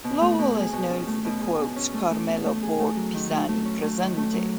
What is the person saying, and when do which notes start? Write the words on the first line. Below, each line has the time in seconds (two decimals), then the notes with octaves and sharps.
Lowell is known for the quotes Carmelo Borg Pisani, presente!
0.04 B2
0.21 A3
0.39 B2
0.56 G#4
0.73 B2
0.90 C#4
1.07 A3
1.25 B2
1.41 G#4
1.59 B2
1.76 C#4
1.93 A3
2.10 A3
2.27 B2
2.45 A3
2.63 G#4
2.80 A3
2.96 F#3
3.14 D#3
3.31 A3
3.48 A3
3.65 C#4
3.83 A3
4.00 D#3
4.17 A3
4.34 F#3